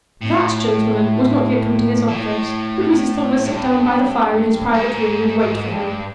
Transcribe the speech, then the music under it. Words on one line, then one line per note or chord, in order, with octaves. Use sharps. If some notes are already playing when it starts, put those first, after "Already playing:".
That gentleman was not yet come to his office; would Mrs. Tulliver sit down by the fire in his private room and wait for him?
A2
A#2
A2
G2
G#2
G#2
G2